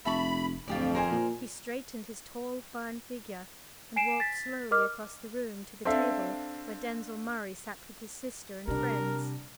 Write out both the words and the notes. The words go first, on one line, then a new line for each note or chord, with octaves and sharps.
He straightened his tall, fine figure and walked slowly across the room to the table where Denzil Murray sat with his sister and friends.
F1 E5 A5 B5 C#6
D1 F2 F4 G4 D5
A#4 C5 G#5
A#2
G#5 C7 D7 E7
A6 B6
A#4 D#5 D6 F6
C4 D4 A4 E5 F5
C3 G3 D4 A#4